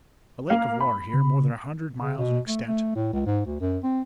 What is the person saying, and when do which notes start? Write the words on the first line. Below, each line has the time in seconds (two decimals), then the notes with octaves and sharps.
A lake of water here, more than a hundred miles in extent.
0.50 A#3 F5
0.80 B5
1.14 C#3
2.00 C#3
2.18 B2
2.47 A3
2.67 A3
2.95 A2
3.13 C#2
3.26 G#2
3.46 D2
3.60 F#2
3.83 C4